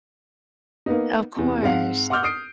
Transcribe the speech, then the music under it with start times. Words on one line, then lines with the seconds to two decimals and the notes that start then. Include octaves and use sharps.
Of course.
0.86 A#3 B3 D#4
1.36 E2 C3
1.62 G#2 C4 F5 F#5
2.10 F#5 C6 D6 E6 F6 G6
2.23 D#6 F6 C7 D7